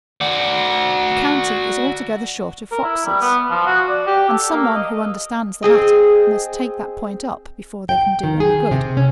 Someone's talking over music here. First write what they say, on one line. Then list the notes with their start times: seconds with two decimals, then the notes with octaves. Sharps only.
The county is altogether short of foxes, and some one who understands the matter must take that point up before they can do any good.
0.21 F#4 D5
2.71 A#4
2.84 E4
3.06 G3
3.21 B3
3.50 F3
3.66 F#4
3.89 D5
4.07 G4
4.29 A4
4.53 A#3
4.75 D#5
5.63 C4 G#4 D#5
7.89 G5
8.24 D#3
8.40 G#4
8.71 C3
8.97 C#4